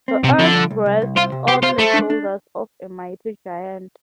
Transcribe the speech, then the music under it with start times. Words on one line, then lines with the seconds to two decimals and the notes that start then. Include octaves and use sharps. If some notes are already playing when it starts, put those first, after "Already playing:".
The earth rests on the shoulders of a mighty giant.
0.08 C4
0.24 C3 C4
0.39 D3 F3
0.55 C2
0.71 C2
0.86 C2
1.02 C2
1.16 F4 C5
1.32 C3
1.48 G4 C5
1.63 F4 C5
1.79 A3 A4
1.94 D4
2.10 D4